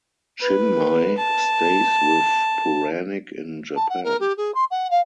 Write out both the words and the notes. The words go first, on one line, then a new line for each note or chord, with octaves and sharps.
Chinmay stays with Puranik in Japan.
B4
A5
A5
F#5
A#4
G4
G#4
C6
F#5
F5